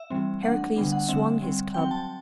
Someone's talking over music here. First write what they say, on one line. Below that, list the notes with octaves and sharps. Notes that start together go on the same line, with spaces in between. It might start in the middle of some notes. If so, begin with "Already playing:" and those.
Heracles swung his club.
Already playing: E5
E3 G3 C4
E3 A3 D4 F#5
D3 G3 B3 D4
F#5
D3 G3 C4 E5
G3 C4
F#3 C4 G5
A5